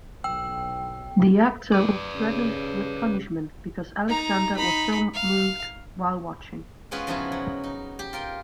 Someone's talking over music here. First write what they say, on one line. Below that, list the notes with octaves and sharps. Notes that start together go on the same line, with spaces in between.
The actor was threatened with punishment because Alexander was so moved while watching.
B1 G5 E6
B4 D5
C#3
D#4 A#5
D#4 B5
F5
G#3 B3 C#4 F4 G#4 B4
C#3 F3 B3 D#4 E4 F#4
F#3
D#4
G4
F4 A#4 G5